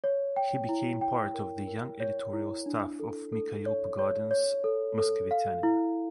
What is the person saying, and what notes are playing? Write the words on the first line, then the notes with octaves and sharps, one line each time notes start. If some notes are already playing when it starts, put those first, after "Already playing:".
He became part of the "young editorial staff" of Mikhail Pogodin's "Moskovityanin".
C#5
G5
E4
G5
A#4
A#4
C#5
E4
D4
A4
A4
C#5
C#5
C#5
A4
A4
F5
E4